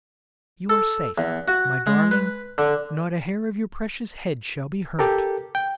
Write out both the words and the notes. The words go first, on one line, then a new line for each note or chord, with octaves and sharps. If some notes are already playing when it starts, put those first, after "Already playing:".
'You are safe, my darling; not a hair of your precious head shall be hurt.
A4
E2
F#4
G#3
B4
D3
G4 A4 A#4
G5